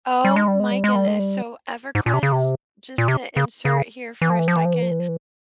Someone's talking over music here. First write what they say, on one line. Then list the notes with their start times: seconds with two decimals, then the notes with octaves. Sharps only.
Oh my goodness. So EverQuest just to insert here for a second,
0.25 G3
0.36 G#3
0.48 G3
0.60 G#3
0.72 G3
0.84 G#3
0.96 G3
1.07 G#3
1.19 G3
1.95 G#2
2.06 A#2
2.13 C3
2.23 C#3
2.32 C3
2.98 A#2
3.08 C3
3.37 C#3
3.65 C#3
4.22 E3
4.30 F3
4.39 E3
4.48 F3
4.56 E3
4.65 F3
4.74 E3
4.82 F3
4.91 E3
5.00 F3
5.09 E3